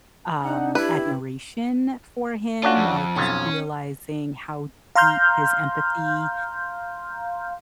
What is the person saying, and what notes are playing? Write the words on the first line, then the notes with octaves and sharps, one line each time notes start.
um, admiration for him, like, just realizing how deep his empathy
D4 D#4 F#5
E4 G4 B4
C#4 D4 F4 F#4
F2
B1 F2 C#4 F4
F5 A#5 C6 F6 G6